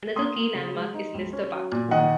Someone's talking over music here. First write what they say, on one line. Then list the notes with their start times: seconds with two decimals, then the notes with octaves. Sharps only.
Another key landmark is Lister Park.
0.16 A#3 C6 D#6
0.36 A#3
0.54 C#3
0.75 G#3
0.94 D#4
1.14 C#2
1.33 C#4
1.52 F#3
1.72 A#2
1.91 D#3 D#5 F#5